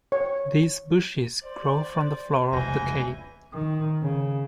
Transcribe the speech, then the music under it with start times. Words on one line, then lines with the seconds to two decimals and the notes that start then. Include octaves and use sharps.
These bushes grow from the floor of the cave.
0.12 C#5
1.44 C5 D5
2.53 F1 C#2 E3 G#5 G6 A#6
3.53 D#3
4.02 C#3